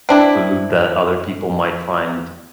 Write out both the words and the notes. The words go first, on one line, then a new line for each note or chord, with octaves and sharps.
food that other people might find
C4 D4 E4